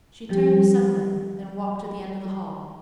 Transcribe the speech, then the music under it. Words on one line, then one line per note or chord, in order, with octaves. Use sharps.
She turned suddenly and walked to the end of the hall.
F3 G3 G4